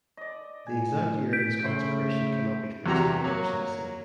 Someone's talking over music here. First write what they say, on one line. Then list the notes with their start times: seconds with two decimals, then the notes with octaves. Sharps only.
The exact year of his consecration cannot be fixed more precisely.
0.17 D5 D#5
0.67 A2 G#5
1.33 G6 B6 D7
1.63 A2 C#3 C5 B5
2.86 E2 C3 F#4 G4 A#5
3.24 F#3 A#3 C#5